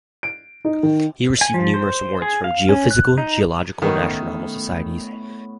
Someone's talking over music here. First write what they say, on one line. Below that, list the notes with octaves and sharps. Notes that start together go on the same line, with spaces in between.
He received numerous awards from geophysical, geological and astronomical societies.
D7
D#4
D#3
G#5
F3
C5
G#4
F5
C#4
F#6
D#4
A2 D#3 B3 C#4